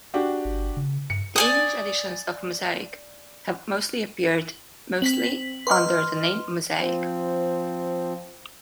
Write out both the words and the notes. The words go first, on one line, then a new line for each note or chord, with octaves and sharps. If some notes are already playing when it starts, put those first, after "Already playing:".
The English editions of "Mosaik" have mostly appeared mostly under the name "Mosaic".
D4 F#4 G4
G1
C#3
G2 C#7
D5 G#5 D#6
C4 B6 F#7
B4 D#5 C6 F6
F3 C4